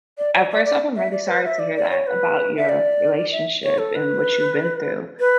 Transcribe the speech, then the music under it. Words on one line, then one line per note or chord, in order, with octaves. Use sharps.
at first off, I'm really sorry to hear that about your relationship and what you've been through,
D5
D5
D5
D5
E5
D5
B4
E5
D5
D5
C#5
B4
E5
D5
E5
C#5
A4
B4
B4